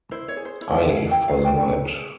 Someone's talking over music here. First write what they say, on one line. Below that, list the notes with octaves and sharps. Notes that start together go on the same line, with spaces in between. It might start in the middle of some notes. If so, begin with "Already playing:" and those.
Ay, for the night.
E4 C5
C#5
G#4
C5
E4 C#5
E5
G#4
F5
E4 G5
F5
G#4
G5
E4
G#4